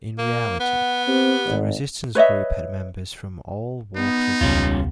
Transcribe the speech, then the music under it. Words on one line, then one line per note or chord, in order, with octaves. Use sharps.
In reality, the resistance group had members from all walks of life.
A#3
B3 F#5
C4 G4
G#1
B4 C#5 D#5 E5
B3 D#4
E1 C#2 G3 C#4 F4